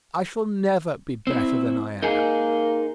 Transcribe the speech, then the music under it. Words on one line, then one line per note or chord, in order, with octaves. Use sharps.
I shall never be better than I am.
C4 E4
A#3 D#4 G#4